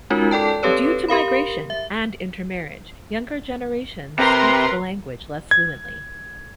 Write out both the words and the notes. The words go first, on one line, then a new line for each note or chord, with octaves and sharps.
Due to migration and intermarriage, younger generations speak the language less fluently.
G#3 C#4 D#4 F4 F#4 A#4
A4 D5 G5 A5
C4 G4 A4 B4 C#5
G4 A#4 F5 B5
E5
C3 A#4 B4 A#5 C6
G#6